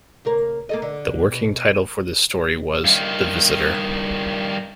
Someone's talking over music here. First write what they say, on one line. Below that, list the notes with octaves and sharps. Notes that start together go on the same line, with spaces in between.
The working title for this story was "The Visitor".
C#3 A#3 A#4
A#3 A4 D#5
D3
B2
G2 D#3